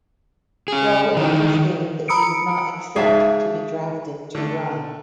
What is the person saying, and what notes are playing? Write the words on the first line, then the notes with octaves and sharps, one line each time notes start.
Guo also stated that he would not accept to be drafted to run.
C#4 G#4
D#3 E3
A#5 B5 D#6 E6 C#7 D7
G#2 C#3 G#4 E5 A5
D3 A3